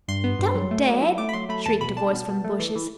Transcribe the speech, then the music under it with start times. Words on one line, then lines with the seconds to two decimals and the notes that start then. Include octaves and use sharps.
"Don't, Dad!" shrieked a voice from the bushes.
0.08 G2 C6
0.24 B3
0.39 G2
0.55 F#3
0.71 A3
0.87 F#3
1.02 E4
1.18 A3 D6
1.29 B5
1.33 F#3 C6
1.49 A3 B5
1.66 E2 A5
1.81 B2 B5
1.97 D4 A5
2.13 B2
2.28 B2
2.44 A3
2.59 E3
2.76 E3